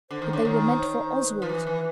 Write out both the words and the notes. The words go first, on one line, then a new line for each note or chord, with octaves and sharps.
But they were meant for Oswald.
D3 C5
D#3
D3 C#5
D#3
C5
C#5
C5
B4
F3
E3
E3